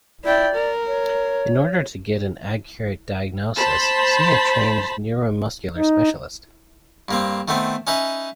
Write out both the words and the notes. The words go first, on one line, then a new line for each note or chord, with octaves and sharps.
In order to get an accurate diagnosis see a trained neuromuscular specialist.
E4 D5 G5
A#4
C#5
C5 A5 B5
D#4
G2 A#3 C4
D#3 A3 B3 C4
C#4 D#4 B4 E5